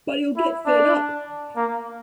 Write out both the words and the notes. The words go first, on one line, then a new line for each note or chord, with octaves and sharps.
But he’ll get fed up.
E4
D4
A#3